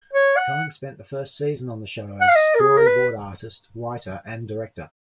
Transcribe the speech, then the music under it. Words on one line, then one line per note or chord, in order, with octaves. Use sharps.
Cohen spent the first season on the show as storyboard artist, writer, and director.
C#5
F#5
F#5
F5
D#5
A#4
G#4
A#4
B4